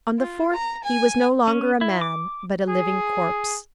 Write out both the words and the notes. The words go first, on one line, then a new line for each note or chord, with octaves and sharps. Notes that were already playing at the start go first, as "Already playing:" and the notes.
On the fourth, he was no longer a man, but a living corpse.
F4
A#5
G#5
C#4
E4
D6
G#4